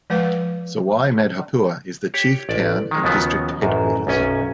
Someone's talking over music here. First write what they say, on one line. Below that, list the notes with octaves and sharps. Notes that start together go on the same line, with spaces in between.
Sawai Madhopur is the chief town and district headquarters.
F3 G#3 B4 F5
G4 C#5
A1 D5
D#3 G#3
D#2 C#3 F3 F#3 B3
A1 F#2
B1 F#2 C#4 G#5